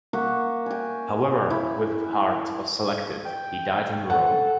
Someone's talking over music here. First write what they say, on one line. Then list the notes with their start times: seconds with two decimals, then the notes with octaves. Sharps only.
However Wighard was selected, he died in Rome.
0.13 A#3 E5 F#5 C#6
0.66 G5 G#5
1.50 E4 B5 C#6
3.25 G5
4.10 A4 F#5